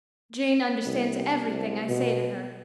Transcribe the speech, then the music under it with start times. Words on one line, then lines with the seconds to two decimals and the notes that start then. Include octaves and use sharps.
Jane understands everything I say to her.
0.86 C2
1.49 C2
1.89 B2